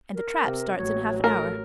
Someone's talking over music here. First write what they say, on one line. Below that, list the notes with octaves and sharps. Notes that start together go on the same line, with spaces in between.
"And the trap starts in half an hour."
A#4
C3
A1 F#3 C#5
A4 A#4